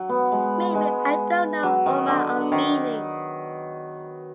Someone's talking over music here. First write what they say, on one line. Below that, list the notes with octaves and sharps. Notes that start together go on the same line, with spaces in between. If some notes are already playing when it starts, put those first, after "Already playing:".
Maybe I don't know all my own meanings.
Already playing: F#3
B3
G#3
G#3
F#3
D#3
D3
D#3